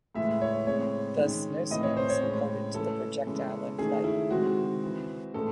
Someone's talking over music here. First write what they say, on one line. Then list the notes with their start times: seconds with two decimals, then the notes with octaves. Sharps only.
Thus, no spin is imparted to the projectile in flight.
0.15 A2 E3 G#3 E5
0.41 C#5
0.67 A2 G#3 C4 C#5
1.18 D#3 G#3 C#4
1.70 A2 E3 C4 D#5
1.83 C#5
1.97 C5
2.10 C#5
2.22 A2 G#3 C#4
2.74 E3 A3 C#4 A4
3.26 C#3 E3 G#3 C#4
3.78 D#3 A3 C#4 G#4
4.04 E4
4.30 C3 D#3 G#3 C4 F#4
4.82 E3 C4
5.34 A2 E3 G#3 C#4 A4